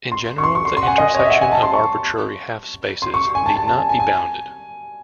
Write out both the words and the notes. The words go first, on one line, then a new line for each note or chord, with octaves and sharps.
In general the intersection of arbitrary half-spaces need not be bounded.
C6
C#6
C6
C#6
C6
C6
F#5
G#5
D#5
C#5
D#5
E5
F#5
G#5
A5
C6
C#6
C6
C#6
G#5
A5
A5
A5
G#5
G#5
G#5